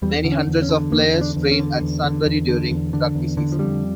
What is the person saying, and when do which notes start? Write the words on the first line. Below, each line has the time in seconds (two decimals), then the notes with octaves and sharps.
Many hundreds of players train at Sunbury during the rugby season.
0.02 E2 G3
0.25 D3
0.32 C#4
0.47 E2
0.62 C#4
0.69 D3
0.92 E2 A#3
1.14 D3
1.21 D4
1.36 E2
1.51 C#4
1.59 D3
1.81 E2
2.04 D3
2.25 E2
2.48 D3
2.71 E2
2.93 D3
3.15 E2
3.37 D3
3.52 F3
3.59 F2 G3